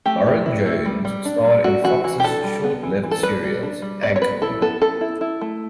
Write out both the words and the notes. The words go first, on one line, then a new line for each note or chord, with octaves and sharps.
Lauren Jones starred in Fox's short lived series "Anchorwoman".
A3 G4
E4
E4
A3
G3
G3
D4
G3
A3 F#4
E3 F#4
E3 F#4
G4
D4 A4
G3
B3
E3
E3
A4
G3 B4
G3
D4
G3
B3 D5
C#5
B3 B4
E4 A4
B3 A4
E4 A4
E4
E4
A3